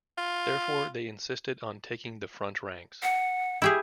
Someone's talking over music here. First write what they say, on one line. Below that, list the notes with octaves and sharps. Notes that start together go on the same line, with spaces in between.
Therefore, they insisted on taking the front ranks.
F4
F#5
E4 G4 G#4